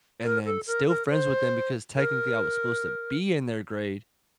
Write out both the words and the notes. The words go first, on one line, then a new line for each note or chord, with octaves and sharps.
and then still friends with them because technically I was supposed to be in their grade,
A#4
A4
A#4
A#4
C5
A#4